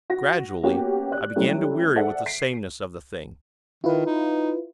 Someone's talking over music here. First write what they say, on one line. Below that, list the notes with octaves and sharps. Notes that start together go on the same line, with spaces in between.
Gradually, I began to weary with the sameness of the thing.
F#4 A#6
A#3 B3 C#4 F#4 G4
D5 F#6
F#3 G3 A3 C#4 E4 G4
G#4 A4 C5 D5 E5 F#5
B6 C7 D7
D#3 E4 F4 B4
D#4